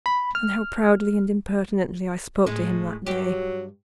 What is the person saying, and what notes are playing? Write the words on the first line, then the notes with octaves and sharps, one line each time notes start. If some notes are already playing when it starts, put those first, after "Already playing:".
And how proudly and impertinently I spoke to him that day!
B5
F6
A2 G#3
G2 F#3 G4